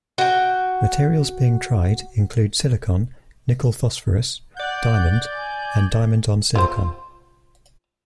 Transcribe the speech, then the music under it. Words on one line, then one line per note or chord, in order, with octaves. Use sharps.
Materials being tried include silicon, nickel phosphorus, diamond, and diamond-on-silicon.
F#4 G5
D5 F#5 G6
G#5
F4 C5